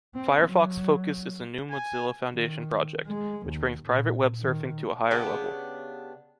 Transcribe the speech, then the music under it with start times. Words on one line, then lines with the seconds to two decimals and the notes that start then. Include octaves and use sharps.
Firefox Focus is a new Mozilla Foundation project, which brings private web surfing to a higher level.
0.15 C4
0.47 F#3
1.70 G#5
2.32 D#3
3.07 G#3
3.47 D#2
3.86 A#2
4.41 D#3
5.11 C#3 B3 D4 G4